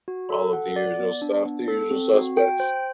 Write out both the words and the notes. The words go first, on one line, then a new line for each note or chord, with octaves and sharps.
All of the usual stuff the usual suspects.
F#4
A4
F#5
D5
B3
D4
B3
A4
C4
F#4
G5
C5